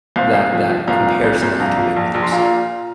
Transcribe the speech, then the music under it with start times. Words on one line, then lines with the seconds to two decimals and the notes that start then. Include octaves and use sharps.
that that comparison that you can make with yourself
0.16 C2 C5 F5
0.34 C2
0.53 F3
0.70 F3
0.88 C2 F5 A#5
1.07 A#2
1.24 C2
1.43 C2
1.59 A#1 F5 A#5
1.77 F3
1.96 A#1
2.14 A#1
2.23 C6
2.31 A#2 F5 A#5